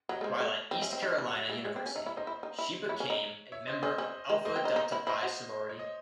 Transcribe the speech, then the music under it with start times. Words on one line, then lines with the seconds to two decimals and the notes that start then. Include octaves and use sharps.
While at East Carolina University she became a member of Alpha Delta Pi sorority.
0.09 F#3 D#5
0.16 C#5
0.21 G#3 A3 C5
0.30 C#5
0.40 A3
0.71 C4 D#5
0.81 C#4 E5
0.90 C4 C5 D#5
1.02 D#3
1.18 E3
1.28 F#5
1.33 F#3 C#5 E5
1.49 G#3 C#5 E5
1.65 G#3 C#5 E5
1.76 C4
1.86 C#4
1.96 D#4 C#5 E5
2.06 E4 C#5 E5
2.17 D#4 C5 D#5
2.27 E4
2.43 D#4
2.59 E4
2.89 E4 C#5
3.00 C#4
3.10 D#4
3.52 C#5 E5
3.67 C5 D#5
3.83 C#4 C5 D#5
3.98 C#4
4.29 G#3
4.45 A3 C5 D#5
4.56 C4
4.65 D#4
4.76 D#4
4.92 E4
5.07 E4 C5 D#5
5.23 F#4
5.69 C#5
5.79 D#5